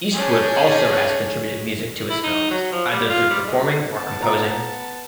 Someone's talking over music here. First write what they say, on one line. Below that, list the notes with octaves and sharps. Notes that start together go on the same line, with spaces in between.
Eastwood also has contributed music to his films, either through performing or composing.
C#4 D4 G#4 C#5 G6
E4
D#4
F#3
F3
G3
F4
G3
G#3
B3 A5
F4 A#5